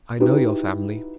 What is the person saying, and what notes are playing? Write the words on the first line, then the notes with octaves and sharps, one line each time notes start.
I know your family.
D#4 E4 F#4 G4 B4